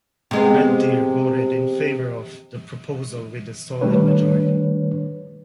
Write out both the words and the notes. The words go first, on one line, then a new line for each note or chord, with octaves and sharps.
Red Deer voted in favour of the proposal with a solid majority.
C3 G#3 B3
D#3 G3 A3 D4 B4 C#5